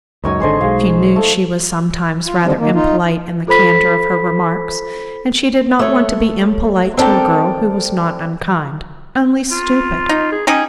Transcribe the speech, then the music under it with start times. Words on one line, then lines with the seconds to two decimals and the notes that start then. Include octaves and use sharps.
She knew she was sometimes rather impolite in the candor of her remarks, and she did not want to be impolite to a girl who was not unkind--only stupid.
0.24 C#2 F#2 D#4 C#5 G#5
0.40 G#1 D3 G#4 C5 D#5
0.61 B1 G#3 F5
1.16 A3
2.26 F4
2.44 D3 D#3 F3 G3 C4
2.58 D#3 A#3
2.75 D#4 F4
3.47 F4 A4 C5 B5 B6
5.79 A3 C#5
6.97 C4 D4 A4 A#4 G5
9.51 F4
10.09 D#4
10.32 G#4
10.47 C#4 D#4 G4 G#4